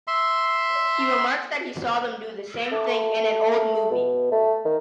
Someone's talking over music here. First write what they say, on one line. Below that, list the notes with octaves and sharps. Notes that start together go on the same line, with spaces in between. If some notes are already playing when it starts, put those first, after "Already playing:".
He remarks that he saw them do the same thing in an old movie.
E5 C6
A3
B2
A3
D#3